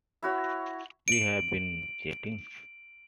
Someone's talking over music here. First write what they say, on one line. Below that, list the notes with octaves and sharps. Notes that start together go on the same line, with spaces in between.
We have been chatting.
E4 F#4 C#5
D7 F#7